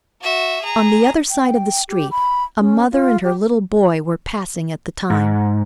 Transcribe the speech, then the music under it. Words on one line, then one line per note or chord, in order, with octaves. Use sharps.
On the other side of the street a mother and her little boy were passing at the time.
F#4 E5
G#4 A#5
G5
G4
B5
C#4
F4
G4
G#2